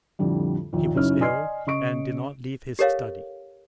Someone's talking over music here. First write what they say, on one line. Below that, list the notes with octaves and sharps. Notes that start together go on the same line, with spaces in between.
He was ill and did not leave his study.
F2 A2 D3 G3
A#1 D#2 A#2
F#2 C#3 D#4 E4 C#5 F6
D5 D#5 G#5 C6 F6 C7
C#3 D#5 C#6 D7
G4 A4 A#4 C#5 D#5 F5